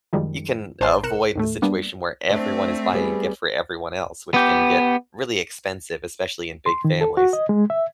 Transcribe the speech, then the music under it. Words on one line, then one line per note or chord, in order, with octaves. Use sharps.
you can avoid the situation where everyone is buying a gift for everyone else, which can get really expensive, especially in big families.
F#2 D#3 F3 G3 G#3
A1 C5 G#5 A5 C6
C2 A#4 F#6 C#7 E7
D#2 A2 A3
G3 A#3 B3 D4
A3 C4 D4 C5 D5
G3 B3 G#4
B3 G4
C6
D#3
A4
F#4
D#5
G#3
E5